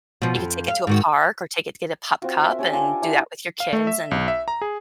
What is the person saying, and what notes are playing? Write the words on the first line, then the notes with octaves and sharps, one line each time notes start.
you could take it to a park or take it to get a pup cup, and do that with your kids, and,
B2 F3
F2
F5
G#2 D#3 F#4
C4 F4 F#4
A#4 E5
C#4 G4 C#5 G#5
D4 F4 A#4 C#6
D4 E4 G4
F5
A3
E5
B1
E5
A#5
G#4